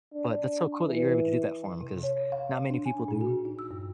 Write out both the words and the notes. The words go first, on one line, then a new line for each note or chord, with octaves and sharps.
But that's so cool that you're able to do that for 'em 'cause not many people do.
D4
E3
C3
C#5
F5
D4
G#5
A#2
F#4
D#4
E6
G2